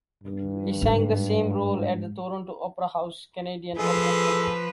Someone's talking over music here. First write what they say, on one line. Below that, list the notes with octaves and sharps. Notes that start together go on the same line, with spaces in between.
He sang the same role at the Toronto Opera House Canadian Opera Company.
G2
G#2 G#3
F3 G#4 A4 B4